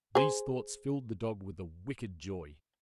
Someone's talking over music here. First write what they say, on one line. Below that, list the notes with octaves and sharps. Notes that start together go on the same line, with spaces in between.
These thoughts filled the dog with a wicked joy.
G#4 C5